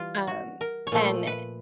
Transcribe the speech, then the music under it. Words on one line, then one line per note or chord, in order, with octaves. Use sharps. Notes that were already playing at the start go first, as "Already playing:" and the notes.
Um, and
Already playing: E3 G3 F4
F#4
A#4
C#5
A#2 F3 A3 C5
B4